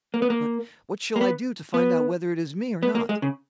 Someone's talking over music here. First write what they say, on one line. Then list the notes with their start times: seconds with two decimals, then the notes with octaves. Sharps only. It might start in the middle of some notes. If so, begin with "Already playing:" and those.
But what shall I do to find out whether it is me or not.
0.14 A#3
0.22 B3
0.30 A#3
1.16 A#3
1.21 B3
1.74 B3
2.83 B3
2.95 A#3
3.09 G#3
3.22 C#3